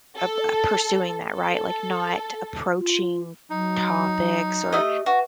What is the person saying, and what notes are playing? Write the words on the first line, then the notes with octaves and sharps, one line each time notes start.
uh, ap uh, pursuing that, right? Like, not approaching topics or
A4
A4
F4
F#3 D#4
A3 G4 D#5
F#4 B4